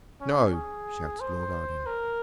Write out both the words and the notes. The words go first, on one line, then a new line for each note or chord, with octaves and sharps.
"No," shouted Lord Arden.
C#4
G#4
C5
A#4